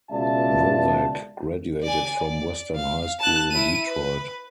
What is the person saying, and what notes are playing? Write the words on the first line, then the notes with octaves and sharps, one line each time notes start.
Nowak graduated from Western High School in Detroit.
C#2 B2 F4 D5 E5 A5
D5 G#5
D5
F5
A5 F#6
E4 D#7
B4